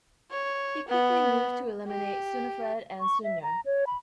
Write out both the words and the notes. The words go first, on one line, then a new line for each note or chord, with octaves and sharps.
He quickly moved to eliminate Sunifred and Sunyer.
C#5
B3
G4
C#6
E5
A#5
C#5
B5